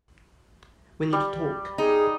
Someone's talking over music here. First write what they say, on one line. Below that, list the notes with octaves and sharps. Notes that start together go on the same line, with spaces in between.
We need to talk.
G3
D#4 G#4